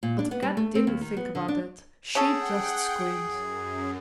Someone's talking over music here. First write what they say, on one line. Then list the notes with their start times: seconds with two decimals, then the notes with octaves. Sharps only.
But Kat didn't think about that; she just screamed.
0.03 A#2
0.19 D4
0.31 B3
0.42 G3
0.57 A3
0.75 C4
0.87 D#2
1.01 D#3
1.17 B3
1.35 D3
1.48 D4
2.15 C#4 G#4 A4 F#5 G5
3.22 F#2